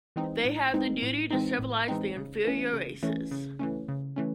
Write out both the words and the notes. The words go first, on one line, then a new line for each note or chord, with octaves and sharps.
They have the duty to civilize the inferior races.
E3 G#3 C4 D#4
A2
E3 G#3 C4 D#4
A2
E3 G#3 C4 D#4
A2
E3 G#3 C4 D#4
C#3
E3 A3 C#4
C#3
E3 A3 C#4
C#3
E3 A3 C#4
C#3
E3 A3 C#4